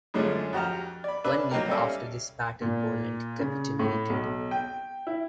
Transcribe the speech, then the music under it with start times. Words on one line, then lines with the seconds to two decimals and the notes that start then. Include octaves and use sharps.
One week after this battle Poland capitulated.
0.14 F#2 D3 G#3 A3 C#4 F4
0.53 F2 F#4 G4 A#5 F6
1.04 D5 B5
1.24 C#4 D4 B4 E5
1.51 F#3 A#3 D#4 G4 A#4
1.68 G3 C#4 A4 D5 E5 F5
2.62 A#2
3.39 C#3
3.79 A2
4.10 B1
4.51 G5
5.07 E4